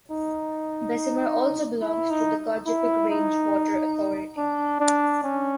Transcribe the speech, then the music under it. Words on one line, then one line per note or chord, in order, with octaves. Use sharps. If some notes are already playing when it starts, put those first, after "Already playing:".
Bessemer also belongs to the Gogebic Range Water Authority.
D#4
E4
D#4
E4
D#4
D4
D4
C#4